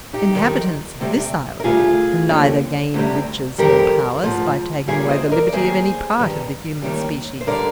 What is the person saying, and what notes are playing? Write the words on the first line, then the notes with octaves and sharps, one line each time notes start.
Inhabitants of this island can neither gain riches nor power by taking away the liberty of any part of the human species.
D#4 G4
F2 D#3 G3
D2 C3 G3
A#4
D2 C3 G3 F4 G#4
D#2 D3 G3
D2 C3 G3
F2 D#3 G3 G4 A#4
G#2 F3
D#2 D#3 G3 F4 G#4
C5 D#5
A#4 D5
D5
D#2 D#3 G3 G#4 C5
G2 D#3 G3
D#2 D#3 G3
C5
D3 G3 A#4 D5